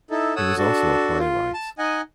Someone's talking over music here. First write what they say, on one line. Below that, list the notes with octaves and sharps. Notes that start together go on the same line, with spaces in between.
He was also a playwright.
D#4 E4 A4
A4 C#5 F#5 D#6 E6
D4 F#4 A4
F4
A5
D#4 D#5 F#5 G#5